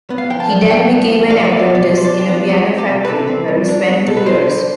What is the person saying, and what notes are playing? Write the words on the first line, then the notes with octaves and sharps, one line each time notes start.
He then became an apprentice in a piano factory, where he spent two years.
B3
F5
F3 G5
A5
D4
A5
G2 G5
B3
F3
D4 F5
D5
B3 E5
D5
B2 D5
B2
C5
D4 D5
G4
B3 F4
C4 G4
G3
G4
C3
B4
C3 A4
C4
G3
D4
B3
B2 A4
B4
B2 C5
D4